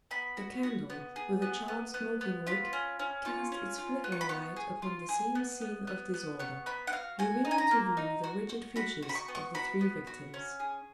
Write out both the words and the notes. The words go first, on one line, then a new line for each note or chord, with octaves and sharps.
A candle, with a charred smoking wick, cast its flickering light upon the same scene of disorder, revealing to view the rigid features of the three victims.
B3 B5
F#4
F#4
B3
G#4
B3
B3
B3
B3
F4 B5
C#4
C#4
F4 C#6
C#4
F4
B3
C#6
B5
B3 C#6
G#4
F4
G#4
B3
B3
B3
B3
B3 C#6
B3 B5
F#5
F#4 F5
F#4 G#5
D#4
G#5
A#5
A#3
D#4
F#4
F#4
F#4 B5
F#4
B5
C#6
B3
C#6
F#4 B5
B3
F#4
C#4
G#4